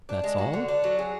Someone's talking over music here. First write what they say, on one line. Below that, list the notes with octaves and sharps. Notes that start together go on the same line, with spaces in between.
"That's all?"
D4
G#3
F#4
D3
D4
F#3
G#4